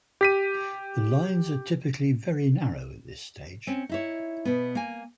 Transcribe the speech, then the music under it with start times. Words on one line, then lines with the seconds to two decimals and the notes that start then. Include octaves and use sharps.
The lines are typically very narrow at this stage.
0.21 G4 B6 D#7
3.67 C4 C#4
3.89 D#4 E4 C#5
4.45 B2 B3
4.75 A#3 G#5